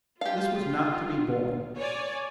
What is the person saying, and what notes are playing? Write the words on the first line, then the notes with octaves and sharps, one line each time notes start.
This was not to be borne.
F4 G4 F5
C#5 D5 G#5